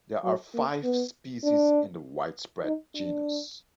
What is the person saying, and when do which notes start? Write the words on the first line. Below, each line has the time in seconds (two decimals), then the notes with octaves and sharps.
There are five species in the widespread genus.
0.24 F#3
0.54 A#3
0.84 B3
1.44 D4
2.65 D#4
2.95 D4